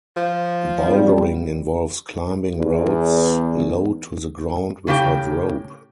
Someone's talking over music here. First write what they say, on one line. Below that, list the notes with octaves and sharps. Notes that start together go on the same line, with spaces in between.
Bouldering involves climbing routes low to the ground without rope.
F3
A1 F2 G3
E2
A2 C#3 B3 G4 G5